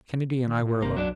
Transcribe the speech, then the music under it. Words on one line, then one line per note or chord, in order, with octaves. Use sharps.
Kennedy and I were alone.
D#3
A#2
G#1 C3 A#3
B1 F#3 D4